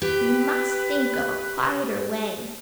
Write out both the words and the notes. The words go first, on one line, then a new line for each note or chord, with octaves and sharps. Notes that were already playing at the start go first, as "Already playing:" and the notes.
"We must think of a quieter way!"
G4 B4